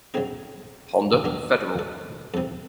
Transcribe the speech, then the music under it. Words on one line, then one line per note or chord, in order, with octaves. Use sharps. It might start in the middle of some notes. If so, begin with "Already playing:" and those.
Honda Federal.
C#3 F#3 A3 C4 D#4 G#4
D#3 F#3 A#3 D4
A4
F2 C3 E3 A4